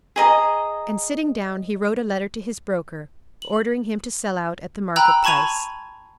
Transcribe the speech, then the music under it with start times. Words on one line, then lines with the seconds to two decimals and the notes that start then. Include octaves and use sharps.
And, sitting down, he wrote a letter to his broker, ordering him to sell out at the market price.
0.16 G#4 D#5 A#5
3.42 F#7
4.96 G5 A#5 B5 E6 F#6
5.24 A5 B5 C#6 G#6 D#7 F7